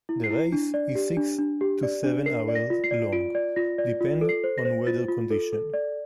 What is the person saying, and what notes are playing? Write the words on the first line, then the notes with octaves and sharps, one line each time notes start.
The race is six to seven hours long, depending on weather conditions.
E4
C7
E4
D4
D5
G4
D4
D4
G4
D5
D4
A#4 C7
D5
A#6
F4
C7
D5
F4 D7
D5
F4 A#6
D5
F4
A4
C7
C5
A#6
C5
F4 A6
F4
A4
A4
D5